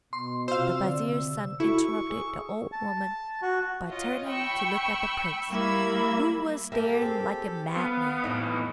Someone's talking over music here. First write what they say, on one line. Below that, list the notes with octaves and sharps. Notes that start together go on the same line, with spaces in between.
The vizier's son interrupted the old woman by turning to look at the prince, who was staring like a madman.
B2 C6
C3 F4 F#4 C5 F5 E6
D3 D5
E4 F#4 A4 C#6
G#4
A5
F#4
F4 C#5 D#5
G5 B5 C#6 E6
G3 A#3 E4 B5 E6 G#6
A#3 G4 A4 A#4 E5
C4 G#4
B3 F5
F2 A2 E3 B3 D#4